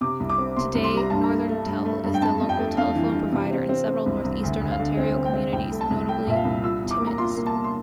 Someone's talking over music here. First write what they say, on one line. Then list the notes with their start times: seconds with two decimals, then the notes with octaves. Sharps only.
Today, NorthernTel is the local telephone provider in several Northeastern Ontario communities, notably Timmins.
0.01 C3 D6
0.20 C2
0.30 D6
0.38 C4
0.57 C3 C6
0.75 C2
0.84 C6
0.94 G3 A#5
1.10 G2 A5
1.24 A#5
1.30 A3
1.48 A3
1.66 G2
1.85 A3
2.04 G2
2.14 G5
2.22 F2 A5
2.41 F2
2.49 G5
2.59 A3
2.77 F2 F5
2.95 E3
3.14 E3
3.32 C3
3.51 C4
3.69 C4
3.87 C4
4.06 C2
4.24 C2
4.43 D2
4.61 D2
4.71 F5
4.79 D3
4.97 C4
5.16 C4
5.25 G5
5.34 C4
5.52 C2 G5
5.72 A3
5.81 A5
5.90 C2
6.09 A3 G5
6.27 A#2 E5
6.35 F5
6.45 C2
6.63 F4 E6
6.82 E2
6.91 D6
6.99 A#3
7.07 A#5
7.18 F4 C6
7.36 A#3
7.46 A5
7.55 A#3
7.64 C6